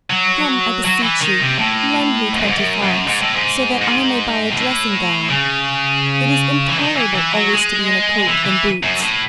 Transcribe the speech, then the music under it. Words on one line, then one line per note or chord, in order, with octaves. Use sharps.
Come, I beseech you, lend me twenty francs, so that I may buy a dressing-gown; it is intolerable always to be in a coat and boots!
F#3
F#3
E3
D#3
C3
A2
G#2
F#2
G#2
F#2
F#2
G#2
A2
G#2
G#2
C3
A2
C#3
E3
D#3
E3
E3
F#3
G#3
E3
E3
F#2
A2